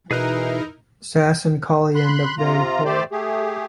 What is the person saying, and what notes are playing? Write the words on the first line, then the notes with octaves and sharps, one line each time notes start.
Sass and Koly end up very poor.
B2 E3 D#4 E4 G#4 A#4 B4 F#6
B5 C6 F#6
C3 F4 A#5
A3 G4 C5 D5
A3 G4 G#4